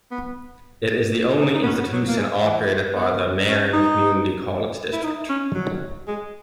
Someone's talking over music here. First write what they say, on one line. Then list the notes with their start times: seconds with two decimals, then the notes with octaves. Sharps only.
It is the only institution operated by the Marin Community College District.
0.11 B3
1.40 D#4
1.54 D#4
1.62 B3
1.66 C#4
1.79 B3
1.92 F#3
2.07 A#3
2.18 G#3
2.44 E3
2.96 B3
3.48 C#4
3.73 D#4
4.93 E4
5.03 D#4
5.29 C#4
5.54 F#3
6.07 G#3